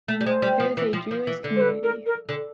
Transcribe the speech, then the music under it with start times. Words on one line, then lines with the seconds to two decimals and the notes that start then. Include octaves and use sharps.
There is a Jewish community.
0.08 A3
0.21 G3
0.26 G#3 C5
0.42 G3
0.60 F3
0.77 E3
0.93 F3
1.11 F3
1.27 E3
1.44 D3
1.56 C5
1.61 B4
1.83 A#4
2.06 A#4
2.29 D3